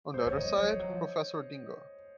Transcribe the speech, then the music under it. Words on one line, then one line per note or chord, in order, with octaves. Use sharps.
On the other side, Professor Dingo.
G#2 C5
G#2 C#5
C3 D#5
A#3
F#3 C#5
F3
F#3
F3